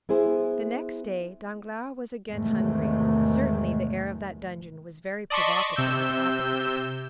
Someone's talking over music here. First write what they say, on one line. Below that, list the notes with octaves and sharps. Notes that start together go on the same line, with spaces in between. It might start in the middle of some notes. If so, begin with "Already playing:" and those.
The next day Danglars was again hungry; certainly the air of that dungeon was very provocative of appetite.
B3 E4 G#4 C5
E2 G#2 C3 D#3 G#3 A3
D5 D#5 A5 C6 C#6 B6
C3 E6 G6